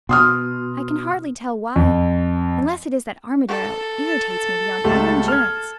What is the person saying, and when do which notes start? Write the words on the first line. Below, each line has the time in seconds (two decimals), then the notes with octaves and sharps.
I can hardly tell why, unless it is that Armadale irritates me beyond all endurance.
0.09 B2 C6 D#6 F6
1.76 F2
3.48 A4
4.84 C#2 G3 A3
5.28 F6 G#6